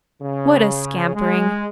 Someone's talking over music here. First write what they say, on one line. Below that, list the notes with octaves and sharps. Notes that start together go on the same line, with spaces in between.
What a scampering!
C#3
G#3